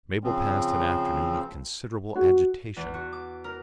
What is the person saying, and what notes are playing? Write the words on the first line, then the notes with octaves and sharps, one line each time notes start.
Mabel passed an afternoon of considerable agitation.
C#3 F3 C4
F#4
E2
F#4
D6
A#4